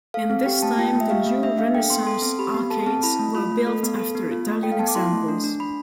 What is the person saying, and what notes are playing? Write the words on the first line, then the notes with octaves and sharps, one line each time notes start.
In this time the new Renaissance arcades were built after Italian examples.
A4 F5
C4 F5
G4 G5
A3 A5
F4 G5
A3
E5
G4 F5
A3
D4 E5
D4 F5
A4 G5
B3 C6
A4 C6
C4
G4 B5
B3
A4 A5
C4 A5
E4 B5
A3
F4 B5
A3
A4
B3
A4
B3
F4
A3
A4 G5
F5
B3 A5
D6
E4 C6
A3
D4
D4
D4 B5